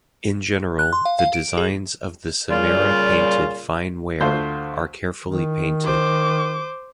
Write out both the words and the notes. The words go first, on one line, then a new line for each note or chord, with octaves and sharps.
In general, the designs of the Samarra Painted Fine Ware are carefully painted.
F#6
C6
F5
F5
D7
G#4
A#2 C#3 G3 F4
D2 A3 F4 C5
D#3
C5 D6